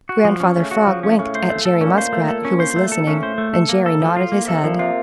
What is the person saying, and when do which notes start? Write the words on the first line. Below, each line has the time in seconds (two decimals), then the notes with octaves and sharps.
Grandfather Frog winked at Jerry Muskrat, who was listening, and Jerry nodded his head.
0.09 F#4
0.25 F3
0.40 C#4
0.56 C#3 A3
0.71 F#4
0.87 F3
1.03 C#4
1.19 A2 C#4
1.35 C5
1.50 A3
1.65 A4
1.81 A#2 C#4
1.98 C5
2.13 A3
2.28 A4
2.45 C#4
2.60 C5
2.76 A3
2.92 A4
3.07 A2 C#4
3.23 C5
3.38 A3
3.54 A4
3.69 A#3
3.86 A4
4.01 F3
4.17 F4
4.32 A#3
4.47 C3 A4
4.63 A#2 F3
4.79 C3 F4